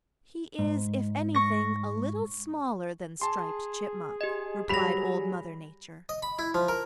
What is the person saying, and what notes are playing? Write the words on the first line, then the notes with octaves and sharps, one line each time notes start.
"He is, if anything, a little smaller than Striped Chipmunk," replied Old Mother Nature.
G#2
C#6 A#6
G#4 A5 C6
G4 D#5
F#3 G3 B5 A#6 B6 F7
D#5
B5
E4
F3
A#4